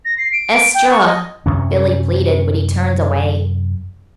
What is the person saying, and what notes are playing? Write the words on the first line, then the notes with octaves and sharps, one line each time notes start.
"Estra!" Billie pleaded; but he turned away.
A#6
C7
D7
D7
G5
C#6
D#5
F#2 C3 C#4